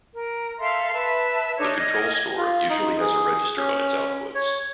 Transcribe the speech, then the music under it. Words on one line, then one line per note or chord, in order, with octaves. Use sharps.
The control store usually has a register on its outputs.
A#4
A4 E5 F5 C6
B4 E5 A5
D4 D#4 A4 C#5
D#5 F6 G#6
F4
D#4
G#4
C#4
C#5